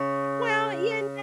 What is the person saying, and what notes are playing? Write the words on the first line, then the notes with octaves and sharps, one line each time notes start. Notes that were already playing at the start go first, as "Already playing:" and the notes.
Well, you
Already playing: C#3